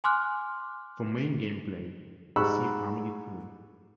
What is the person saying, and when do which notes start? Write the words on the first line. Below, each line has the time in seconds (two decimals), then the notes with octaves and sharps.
For main game play, see Family Feud.
0.04 G#5 C6 D6 F6 F#6
2.36 G#2 G4 B5 C#6 E6 F#6